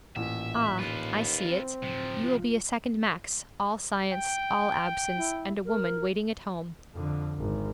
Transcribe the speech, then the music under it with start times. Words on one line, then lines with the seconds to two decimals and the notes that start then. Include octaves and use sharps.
'Ah, I see it: you will be a second Max--all science, all absence, and a woman waiting at home!
0.16 A1 A#2 E5
0.79 D#2 F4 B4
1.50 C4
1.83 D1 C3 F3
2.23 F4
4.13 G5
5.17 E4
5.65 A#4
6.94 F2 D3
7.39 G#1